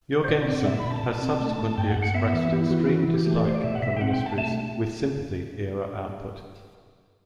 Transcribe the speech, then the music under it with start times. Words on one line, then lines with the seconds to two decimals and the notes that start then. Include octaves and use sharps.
Jourgensen has subsequently expressed extreme dislike for Ministry's "With Sympathy"-era output.
0.24 C5
0.28 B2 D5
0.47 C4
0.60 F#5
0.66 B2 E5
0.79 B5
0.85 B2
0.91 A5
1.03 B2
1.22 C4
1.40 A3
1.59 A3
1.78 G2 G5
1.90 F#5
1.96 G2
2.02 F#5
2.14 B3 E5
2.33 E3
2.52 B3 G4
2.61 E4
2.70 E3 F#4
2.80 E4
2.89 E3 F#4
3.02 E4
3.08 E3
3.14 G4
3.26 A3 G4
3.36 A4
3.45 A3 C5
3.54 D5
3.63 B2 E5
3.75 F#5
3.82 B2 E5
3.97 G5
4.01 C4 F#5
4.13 G5
4.19 B2
4.26 A5
4.38 A3 A5